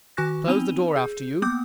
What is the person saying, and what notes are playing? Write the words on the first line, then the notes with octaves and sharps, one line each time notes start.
'Close the door after you.
D#3 F#4 G#5 C#6 F#6 A#6
B3 C4 D#4 D#7 F7 G7
G#4 G6
A#3 B3 D6 G6